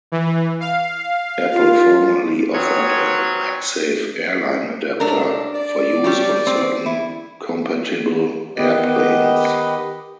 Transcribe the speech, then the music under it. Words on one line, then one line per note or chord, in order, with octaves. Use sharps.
Apple formerly offered a "MagSafe Airline Adapter" for use on certain compatible airplanes.
E3
F5
F4
F#3 C4 F4 G#4 B4 C#5
C3 F#3 A3 D4 A#4
D5
G3 C#4 D4
C4
E4
D#3 B3 G4 B4 D#5